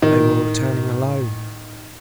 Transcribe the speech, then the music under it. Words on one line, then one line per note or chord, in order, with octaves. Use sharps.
They were returning alone!...
A2 D#3